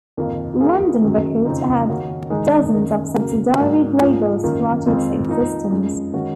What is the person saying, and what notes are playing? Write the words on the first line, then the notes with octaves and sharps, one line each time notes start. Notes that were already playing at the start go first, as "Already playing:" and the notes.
London Records had dozens of subsidiary labels throughout its existence.
F2 D#3 A#3 F4
F3 A#3 F4 G#4
F#2 D#3 F#3
F2 C#3 F3 C4 D#4
D#3 A#3 C#4 F#4
D#3 G#3 D#4 G#4
F#2 D#3 A#3
C#3 F#3 A#3
G#2 F#3 A#3
G#2 F3 A#3
F#2 D#3 A#3 F4
F2 D#3 G#3 C4 F4
F3 A#3 D#4
F#2 F3 G#3
D#3 G#3 C#4 F#4